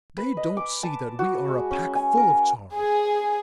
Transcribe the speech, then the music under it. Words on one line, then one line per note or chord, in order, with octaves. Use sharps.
They don't see that we are a pack full of charm.
B4
D#5
D6
A5
F#4
G#3
C#4
G#5
A#4
G#4